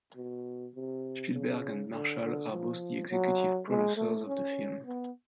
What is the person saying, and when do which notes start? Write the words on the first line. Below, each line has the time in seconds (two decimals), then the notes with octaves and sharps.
Spielberg and Marshall are both the executive producers of the film.
0.16 B2
0.74 C3
1.33 C#3
1.92 D3
2.21 D3
2.51 F3
3.09 F#3
3.68 G#3
3.96 A3
4.26 C#4
4.85 B3